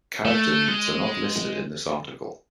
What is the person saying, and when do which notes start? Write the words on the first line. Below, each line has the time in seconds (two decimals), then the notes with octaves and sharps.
Character meets are not listed in this article.
0.25 A3
0.68 G#3